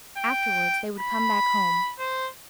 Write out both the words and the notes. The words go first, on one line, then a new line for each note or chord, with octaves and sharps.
Afterwards they would come back home.
G5
B5
C5